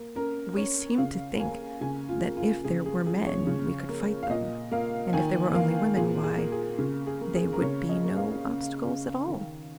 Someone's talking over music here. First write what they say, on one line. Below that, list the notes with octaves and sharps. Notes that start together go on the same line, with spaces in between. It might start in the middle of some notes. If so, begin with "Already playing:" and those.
We seemed to think that if there were men we could fight them, and if there were only women--why, they would be no obstacles at all.
Already playing: A#3
C#4 A#4
C#4 C#5
C#3 F5
A#3 G#5
C#3 G#5
F4
A#3
F4
C#3 G#4
G#4
F3 G#4
C#5
C#3
A#3
F5
A#2 D#5
A#3 F5
D#3 G#5
A#3 F5
A#2 G#4
G#4
A#3
G#4
C#3
G#4
A#3
G#4
A#4
C#3 C#5
D#5
A#3
F5
C#4
C#4
D#3